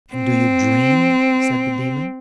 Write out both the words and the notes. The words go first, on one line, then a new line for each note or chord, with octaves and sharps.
"And do you dream?" said the daemon.
C4